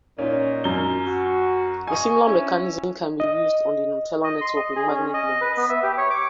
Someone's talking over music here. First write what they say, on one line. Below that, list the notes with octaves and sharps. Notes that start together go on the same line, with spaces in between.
A similar mechanism can be use on the Gnutella network with magnet links.
A#2 C#4 D#4
F#2 G7
F#4
D#5 G#5 C#6
C#4 D4 E4
D#5
D#5
C6
D#5
G#4
C#4
D#5
B4
B3
E5
G4
C#5
D6